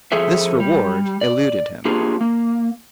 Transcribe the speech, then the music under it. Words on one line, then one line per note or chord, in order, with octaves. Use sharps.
This reward eluded him.
F2 F3 G#4 A4 E5
G3
D5
A#3 D4 F4 G4 G#4
A#3